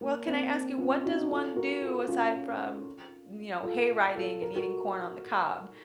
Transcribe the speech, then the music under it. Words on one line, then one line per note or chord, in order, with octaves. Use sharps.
Well, can I ask you, what does one do aside from, you know, hay riding and eating corn on the cob?
A#3
C4
C#4 F4
D#4 F#4
F4 A4
F#4 A#4
F4 A4
C#4 F4
F4 A4
F4 A4
A#4
A4
F#4 A#4